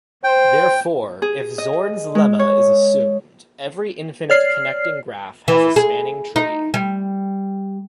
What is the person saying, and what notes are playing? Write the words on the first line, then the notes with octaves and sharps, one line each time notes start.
Therefore, if Zorn's lemma is assumed, every infinite connected graph has a spanning tree.
C5 G5
G#4
D#5
G#3
C#5
C#5 D5 F6 C7
E3
G#4
D#4
G3